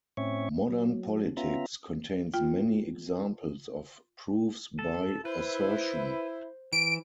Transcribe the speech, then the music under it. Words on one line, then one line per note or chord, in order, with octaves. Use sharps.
Modern politics contains many examples of proofs by assertion.
A2 C4 C#4 C#5 E5 C#6
F#3
B3 C#4 F4 E5 A#5
F4 G5
A4
E4 B4 C5
E3 D7